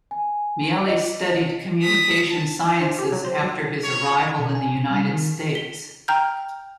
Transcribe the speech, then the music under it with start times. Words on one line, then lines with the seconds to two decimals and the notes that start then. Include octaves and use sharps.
Meili studied communication sciences after his arrival in the United States.
0.11 G#5
0.87 D#5
1.82 D#6 B6
2.29 A5
2.80 C5
2.99 G4
3.12 F#3
3.24 C5
3.44 F#3
3.84 C#5
4.39 B2
4.55 G#5
4.76 B2
4.90 G3
5.09 D#3
5.55 B6 G7
6.08 G5 A#5 F6 G6